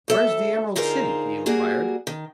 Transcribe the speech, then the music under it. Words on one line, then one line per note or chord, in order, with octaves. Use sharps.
"Where is the Emerald City?" he inquired.
D2 A4 E5
D3 D#4 F4 G#4 A#4 C5
G3 A#3 F#4 G#4
D#3